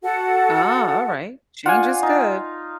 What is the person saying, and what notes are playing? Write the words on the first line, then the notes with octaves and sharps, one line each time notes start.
Oh, alright, change is good.
F#4 A4 F#5
D4 F4 F#5 G#5
D#4